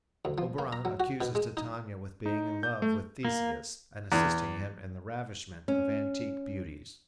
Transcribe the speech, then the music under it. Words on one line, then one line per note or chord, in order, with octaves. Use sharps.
Oberon accuses Titania with being in love with Theseus and assisting him in the ravishment of antique beauties.
D2
F3
A#3
A#5
F#3
F#4
B2
G#3
D#4
D#4
G6
A3
A#3
E2
C#4